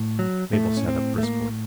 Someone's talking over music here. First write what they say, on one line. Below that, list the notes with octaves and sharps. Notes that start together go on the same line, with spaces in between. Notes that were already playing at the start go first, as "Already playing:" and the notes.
Mabel sat up briskly.
Already playing: A2
F#3
A2 A3
C#4
C4
A3
A#3